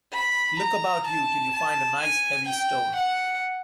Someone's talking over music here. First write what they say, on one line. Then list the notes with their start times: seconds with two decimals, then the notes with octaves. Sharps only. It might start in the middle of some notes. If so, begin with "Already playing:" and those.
Look about you till you find a nice, heavy stone.
0.13 B5
0.61 A#5
1.07 A5
1.55 A5
2.01 G#5
2.49 G5
2.96 F#5